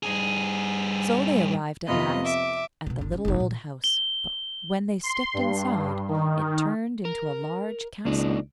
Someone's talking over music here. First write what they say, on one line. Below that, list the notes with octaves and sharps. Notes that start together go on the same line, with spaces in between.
So they arrived at last at the little old house, but when they stepped inside it turned into a large castle.
G2 G#4
F2 C3 B3 F4 D#5 B5
E5 D6
B2 D3
G1 D4
B3 C#4
F1 D#4
A#2
G7
C6
G2
D#3
A#4
C#2 A#3 D4 D#4